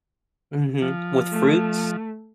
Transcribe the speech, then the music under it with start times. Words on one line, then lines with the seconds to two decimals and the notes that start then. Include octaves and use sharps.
Mhm. With fruits?
0.82 F3
1.32 A3